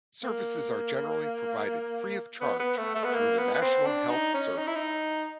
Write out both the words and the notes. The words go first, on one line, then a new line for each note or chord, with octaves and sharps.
Services are generally provided free-of-charge through the National Health Service.
A#3
B3
B3
A3
A3
B3
A#3
B3
B3
C4
D4
D#4
C#4
D#4
E4
D#4